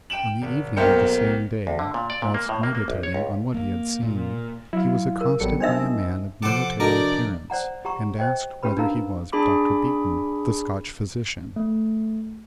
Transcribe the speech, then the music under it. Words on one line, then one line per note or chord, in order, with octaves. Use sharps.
On the evening of the same day, whilst meditating on what he had seen, he was accosted by a man of military appearance, and asked whether he was Dr. Beaton, the Scotch physician.
G5 D7 E7 F#7
G#1
B1 A#3 A#4 C5 G5 C#7
D2
D3
A#2
D5
A#2
A#3
A2
A#3
A#3
A#1
C#5
C#2
A#3
A#2
F#3 E4 F5
A#4
A1 F#3 G3 B3 A4 C#7
D4 D#4 C5 D#5 E5 E6
C3 F3 A4 C5 F#5 D6
D4 D#4 F#4 A4 A#4 D5
C5 D5 F#5 A#5
G4 F#5 A#5 C#6
C5 D#5 G5
C#4 G4 B4 B5
D4 D#4 A#4 F5 A#5
D4 G#4 B5 D6
A3